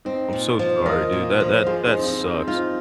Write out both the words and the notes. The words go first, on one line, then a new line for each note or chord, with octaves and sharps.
I'm so sorry, dude, that that that sucks.
C4 D#4
A#2
F3
F4 A#4 D#5
A#2
F3
F4 G#4 C5
D#4 G#4
F3
C4
D#4
F3
C4
D#4 F4